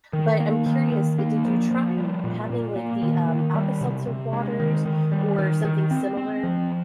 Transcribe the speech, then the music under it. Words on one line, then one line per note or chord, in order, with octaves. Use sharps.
But I'm curious, uh, did you try having, like, the, um, Alka Seltzer waters or something similar?
D#3
A#3
D#3
D#3
A#3
F3
F3
G3
A#2
A#2
A#3
D#3
D#3
G3
C3
C3
G#3
D#3
D#3
G3
D#3
D#3
C4
C4
F3